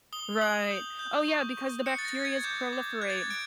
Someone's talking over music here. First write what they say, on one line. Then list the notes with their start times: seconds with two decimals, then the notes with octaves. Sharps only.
Right. Oh yeah, because the bacterias proliferate.
0.13 D#6 G7
0.41 D#6 F#7
0.71 G6
0.99 G6
1.28 C#6
1.57 C#6
1.86 F#6 C#7
1.99 A6
2.05 A#6
2.15 F#6
2.25 G#6
2.44 D6 G6
2.73 D6
3.01 F#6 G#6
3.10 A6
3.17 G#6
3.30 F#6 D7